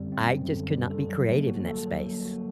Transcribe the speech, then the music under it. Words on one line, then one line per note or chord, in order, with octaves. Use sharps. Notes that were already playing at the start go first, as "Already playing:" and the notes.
I just could not be creative in that space.
Already playing: F#2 D3 G3 C4
C4
F#2
D3
G3
A4
F#3
A#3
F#4
A4
F#3
A#3
F#4